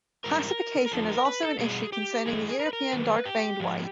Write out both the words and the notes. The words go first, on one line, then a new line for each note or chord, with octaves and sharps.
Classification is also an issue concerning the European dark-veined white.
G#2 E3 G3 A#4
A#4
F2 D3 F3 A4
A#4
B4
A4
B2 G3 G#4
G4
G2 E3 G#3 G#4
A#4
B4
A#4
F#2 D#3 G3 B4
G4
G#2 F3 G#3